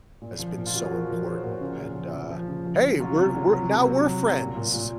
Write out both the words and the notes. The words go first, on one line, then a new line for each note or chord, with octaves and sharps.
has been so important, and, uh hey! We're we're now we're friends!
A#2
F3
A#2
F4
F3 F#4
G#4
F3 F#4 A#4
F3 A#4 C#5
F3 G#4 C5
A#2 F#4 A#4
C#3 C#4 F4
C#3
F3
C#3
F3
C#3
F3
C#3
F#3 C#4 F4
C3
F#3
F#3
C3
F#3
F#3
C3
A#2
A#2
A#2